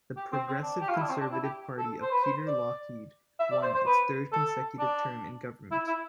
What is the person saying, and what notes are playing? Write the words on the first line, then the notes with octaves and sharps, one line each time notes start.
The Progressive Conservative Party of Peter Lougheed won its third consecutive term in government.
G4
C4
C4
D4
G4
F4
E4
D4
C4
D4
E4
G4
A4
C5
B4
C5
D5
E5
D5
C5
C5
B4
A4
D4
E4
E4